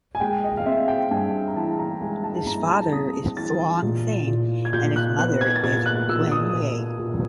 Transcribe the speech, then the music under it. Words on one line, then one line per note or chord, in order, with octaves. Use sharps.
His father is Thaung Sein and his mother is Khin Aye.
G#5
G#3 G5
D#5
F5
C4 E5
G5
G2 G#5
A#5
E3 A5
A#5
G#3 G#5
A5
G2 A#5
A5
C4 D#6
E3 A6
A#2
A#2
G#6
A#2 G6
F#6
B3 F#6
G#6
A6
A#2 G#6
F#6
A#2 E6
D#6
A#2
A#2